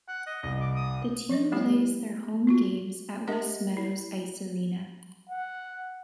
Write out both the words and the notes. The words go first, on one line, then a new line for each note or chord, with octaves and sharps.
The team plays their home games at West Meadows Ice Arena.
F#5
D#5
C2 D#5
D6
D#6
F3 F#3 C#5 D#5
G3 A3 B3 E4 G4
F4 F#4
D4 G4 A#4 D#5 E5 F#5
E4
F#5